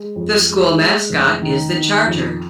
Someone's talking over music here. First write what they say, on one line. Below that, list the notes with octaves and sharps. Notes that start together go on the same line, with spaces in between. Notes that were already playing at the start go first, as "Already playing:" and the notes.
The school mascot is the Charger.
Already playing: G#3
F2
G#3
G#3
F1
D#3
D#3
F2